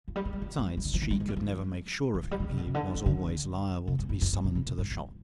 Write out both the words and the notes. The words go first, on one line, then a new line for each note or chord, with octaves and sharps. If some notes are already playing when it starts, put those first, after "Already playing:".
Besides, she could never make sure of him: he was always liable to be summoned to the shop.
F3
G3
G#3
G3
F3
G3
F3
D#3
F3
D#3
G3
G#3
G3
F3
D#3
F3
G3
F3
C3
B2
C3
D3
F3
D3
C3
G#2
G2
F2
G2
B2
C3
B2
G#2
G2